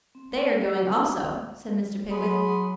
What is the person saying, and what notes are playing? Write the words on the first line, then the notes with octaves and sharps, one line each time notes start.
'They are going also,' said Mr. Pickwick.
C4
A3
G4
F#5
F#4
F#3 G#4 B5 C6 D#6